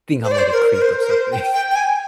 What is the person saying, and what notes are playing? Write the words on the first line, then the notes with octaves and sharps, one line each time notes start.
think I'm like a creep or something.
C5
D5
C5
A#4
A#4
C5
A#4
C5
G5
G5
G5
G#5